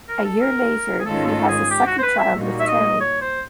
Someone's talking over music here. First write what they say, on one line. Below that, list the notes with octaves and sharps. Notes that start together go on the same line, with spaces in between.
A year later, he has a second child with Terry.
A#4
A4
A#4
G#4
G#2 D#3 G#3 C#4 F4 A4
A4
G#4
G4
F#4
C5
B4
E5
A#2 G3 A#3 D#4 F#4
E5
D#5
C#5
C5